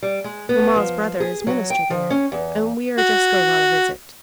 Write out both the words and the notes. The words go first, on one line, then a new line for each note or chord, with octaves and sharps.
"Mamma's brother is minister there, and we are just going on a visit."
G3
G#3
B3
F3
G#4
F#3
G5
F3
C#4
E2
F#4